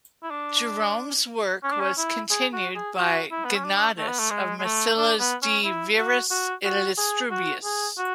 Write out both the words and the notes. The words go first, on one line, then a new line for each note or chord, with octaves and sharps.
Jerome's work was continued by Gennadius of Massilia's "De Viris Illustribus".
E4
D4
C#4
D4
C#4
E4
G#4
F#4
G#4
F#4
E4
B3
C#4
D4
A3
B3
A3
G#3
G#3
A3
D4
B3
C#4
E4
F#4
F#4
F#4
G#4
F#4
G#4
F#4